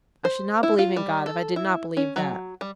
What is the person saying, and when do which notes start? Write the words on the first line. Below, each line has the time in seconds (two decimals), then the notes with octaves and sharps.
I should not believe in God if I did not believe that.
0.25 C5
0.63 E4
0.79 F4
0.96 G3
1.26 A4
1.56 E4
1.97 C#4
2.16 F#3
2.61 G3